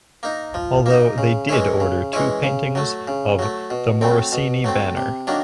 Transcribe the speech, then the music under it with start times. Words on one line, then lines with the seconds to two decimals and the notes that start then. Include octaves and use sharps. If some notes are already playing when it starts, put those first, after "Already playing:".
Although they did order two paintings of "The Morosini Banner".
0.23 A#3 D#4
0.54 F3
0.86 A#3 D#4
1.18 C#3
1.49 E3 G#3 C#4 E4
1.80 C#3
2.13 E3 G#3 C#4 E4
2.43 C#3
2.75 F#3 A3
3.08 C#3
3.39 F#3 A3
3.70 B2
4.01 F#3 A3 C4
4.32 B2
4.64 F#3 A3 C4
4.97 C3
5.27 D#3 F#3 A#3 D4